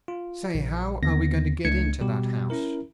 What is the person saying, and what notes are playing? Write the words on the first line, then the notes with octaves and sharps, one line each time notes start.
"Say! how are we going to get into that house?"
F4
A#1
D#2 D3 B3 A#6
C#2 A3 D4 G#6 C#7
B2 G3 G4
C#4 E4 A#4